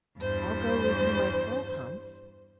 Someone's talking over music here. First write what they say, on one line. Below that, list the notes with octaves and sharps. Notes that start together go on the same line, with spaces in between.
'I'll go with you myself, Hans.'
E2 G2 C5